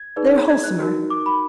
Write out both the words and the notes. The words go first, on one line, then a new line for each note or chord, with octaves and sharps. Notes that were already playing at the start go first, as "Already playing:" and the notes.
They're wholesomer.
Already playing: G#6
D#4 G#4 B4 D5
G#6
F#6
D#4 F#4 A#4
D6
B5